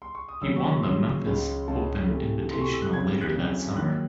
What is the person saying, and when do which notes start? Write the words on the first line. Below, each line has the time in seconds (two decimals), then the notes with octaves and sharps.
He won the Memphis Open Invitational later that summer.
0.02 C6
0.15 C#6
0.29 D#6
0.41 D#2 C#3 F#3 C#4 E6
0.56 C#6
0.70 C6
0.83 D#2 C#3 F#3 C#4 C6
1.26 C#2 C#3 G#3 C#4
1.68 C#2 C#3 G#3 C#4 A5
2.09 C3 E3 A3
2.51 C3 E3 A3 C6
2.61 C#6
2.73 E6
2.82 F#6
2.93 E2 C#3 F#3 C4 G#6
3.21 F#6
3.34 E2 C#3 F#3 C4
3.77 D#2 D#3 F#3 F#6